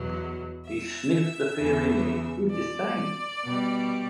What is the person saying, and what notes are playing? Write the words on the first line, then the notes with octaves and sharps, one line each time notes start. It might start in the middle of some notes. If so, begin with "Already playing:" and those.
He sniffed the fear in me with disdain.
Already playing: E2 B2 F#3
E5
E2 C#3 E3
D5
B2 G3